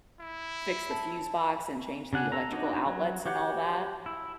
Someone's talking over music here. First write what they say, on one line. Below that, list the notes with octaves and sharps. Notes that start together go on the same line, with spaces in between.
fix the fuse box, and change the electrical outlets, and all that,
E4
A5
C#3 D4 F#5 G#5
A4 A#5
D4 D#4 F#4 C#5 D#5
F#3
F#4 G4 C#5 F#5
E4